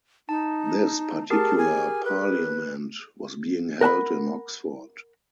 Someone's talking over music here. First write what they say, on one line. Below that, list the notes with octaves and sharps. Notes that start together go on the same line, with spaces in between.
This particular parliament was being held in Oxford.
D#4 A5
G4 G#4 A#4 A5
G#5
B4
A#4 F#5 A5 B5